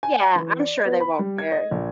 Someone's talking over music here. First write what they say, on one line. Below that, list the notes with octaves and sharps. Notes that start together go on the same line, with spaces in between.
Yeah, I'm sure they won't care,
G#5
E3
D5
B3
B5
G3
G#6
D#5
A#1